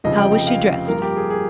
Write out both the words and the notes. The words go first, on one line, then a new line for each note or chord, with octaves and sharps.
"How was she dressed?"
F1 F2 C#3 F3 D#5
G5
G5
F5
G2 F3 A#3 A#4
G4
G#4
G#4